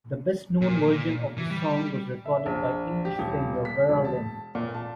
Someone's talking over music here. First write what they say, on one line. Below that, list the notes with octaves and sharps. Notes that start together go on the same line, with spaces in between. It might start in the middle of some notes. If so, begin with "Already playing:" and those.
The best-known version of the song was recorded by English singer Vera Lynn.
A#2
E3
G3
E5
A#1
G4
D#1
B6
E1
A5
A#2
A5